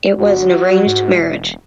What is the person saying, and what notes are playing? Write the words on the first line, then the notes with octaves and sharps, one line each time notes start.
It was an arranged marriage.
G1 F#4
F#3
G#2
E1